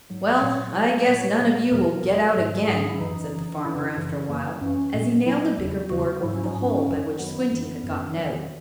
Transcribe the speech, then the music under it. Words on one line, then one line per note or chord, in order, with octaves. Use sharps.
"Well, I guess none of you will get out again," said the farmer, after a while, as he nailed a bigger board over the hole by which Squinty had gotten out.
G#2 F#3
A#2 F#3 C#5
A#2 F#3
A#2 F#3 C#5
A#2 F#3
E2 B2 F#3 A#4
E2 B2 F#3
G#2 F#3
G#2 F#3 G#4
G#4
E4
F#2 E3 D#4
F#2 E3
F#2 C#3 E3 E4
F#2 C#3 E3
F#2 E3 A#3
F#2 E3 C#4
A#2 F#3
A#2 F#3 E4
E2 C#3 F#3
E2 C#3 F#3 F#4
G#2 F#3 E4
C#4
D#4
G#2 F#3 C#4
F#2 D#3 F#3
F#2 D#3 F#3 B3
F#2 E3
F#2 E3
E2 D#3 F#3